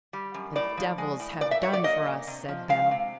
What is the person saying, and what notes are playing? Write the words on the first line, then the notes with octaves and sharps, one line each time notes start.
"The devils have done for us!" said Bell.
G3
F#2
A2 D5
F3
G#3
A2
A#2 D5
E5
F#3 C#5
D5
A#3 D#5
A#2
C3
F3
G#3 F5
C3